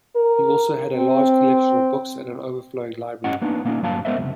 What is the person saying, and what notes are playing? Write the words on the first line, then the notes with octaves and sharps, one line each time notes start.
He also had a large collection of books and an overflowing library.
A#4
C4
G2 C#4 G4 D#5 F#5
A#3 B3 D4 D#4
A#2 A#3 B3 C#4 D#4 F4
G2 F#3 G3 A#3 F5 A5
G#3 B3 A#4 C5 D#5 E5
C#2 F#2 C3